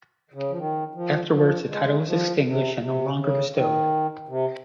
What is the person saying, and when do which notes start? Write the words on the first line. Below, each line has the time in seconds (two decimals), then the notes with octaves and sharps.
Afterwards, the title was extinguished and no longer bestowed.
0.34 C#3
0.50 F3
0.58 D#3
0.95 F3
1.32 F3
1.70 G#3
2.07 F3
2.44 C3
2.81 C3
3.18 C#3
3.55 D#3
4.28 C3